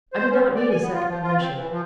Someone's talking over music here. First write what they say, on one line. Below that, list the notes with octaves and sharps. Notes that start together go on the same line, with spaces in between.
I did not need a second permission.
C5
C#4
D#2
D5
G#5
B3
F4
F3
F4
C4
E3
F3